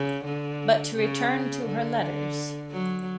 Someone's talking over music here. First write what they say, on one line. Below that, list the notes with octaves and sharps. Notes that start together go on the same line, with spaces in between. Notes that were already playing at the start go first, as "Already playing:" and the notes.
But to return to her letters.
Already playing: C#3
D3
C#3
D3
F#3